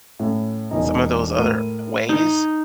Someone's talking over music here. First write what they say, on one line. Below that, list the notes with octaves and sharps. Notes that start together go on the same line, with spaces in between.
some of those other ways,
A2 C#4
E1 E2 D#4
A2 A#4 D#7
D#4